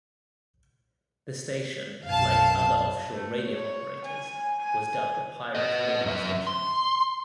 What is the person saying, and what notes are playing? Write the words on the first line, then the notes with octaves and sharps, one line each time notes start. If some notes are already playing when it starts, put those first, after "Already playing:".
The station, like other offshore radio operators, was dubbed a pirate radio station.
B1 F#2 F5 A5
A3
C#5
G#5
G#5
B3 D#5
F#2 E5
C6